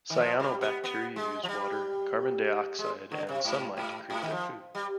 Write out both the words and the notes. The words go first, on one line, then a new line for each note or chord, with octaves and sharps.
Cyanobacteria use water, carbon dioxide, and sunlight to create their food.
D#3
F3
G3
B3
B3
G#3
F3
G3
G#3
D3
C3
G#2
G#2
G#2
D#3
F3
G3